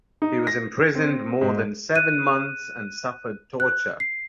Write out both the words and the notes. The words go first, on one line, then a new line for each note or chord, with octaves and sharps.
He was imprisoned more than seven months, and suffered torture.
D#4
A#6
C4
G#2
F#6 D#7
F#6
C7